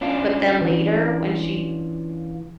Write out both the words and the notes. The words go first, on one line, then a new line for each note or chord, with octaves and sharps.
but then later, when she
C#4 D4 F4
E3